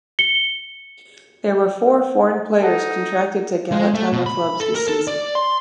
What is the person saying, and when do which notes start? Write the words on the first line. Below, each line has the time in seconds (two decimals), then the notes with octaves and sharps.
There were four foreign players contracted to Galatama clubs this season.
0.19 C#7 G7
2.62 D#4 A4 F#5
3.72 G#3
3.94 A3
4.12 B2
4.26 B5
4.60 A4
4.75 A#4
4.88 A4
5.08 D5
5.35 C6